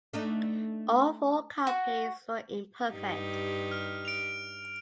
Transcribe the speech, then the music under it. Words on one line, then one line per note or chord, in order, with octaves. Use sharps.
All four copies were imperfect.
A3 D4 D#4
F#4
G2 D#4 G4
F6
D7 F7